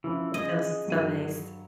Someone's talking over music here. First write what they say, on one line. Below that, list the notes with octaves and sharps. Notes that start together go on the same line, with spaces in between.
It feels so nice.
E3 F3 C#4
G#4 D#5
G2 F#3 D#7